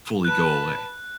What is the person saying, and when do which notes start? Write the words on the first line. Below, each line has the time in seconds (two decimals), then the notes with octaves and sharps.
fully go away.
0.25 B4 A5 F#6